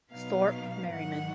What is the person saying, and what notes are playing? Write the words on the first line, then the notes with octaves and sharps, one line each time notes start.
Thorpe Merriman.
B2 F#3 B3 D#4 F5
G#2 D#3 F#3 F#5